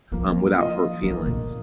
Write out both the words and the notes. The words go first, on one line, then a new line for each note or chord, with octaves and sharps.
um, without hurt feelings?
F3 A#3
F4 D#5
D#3 A#3
A#2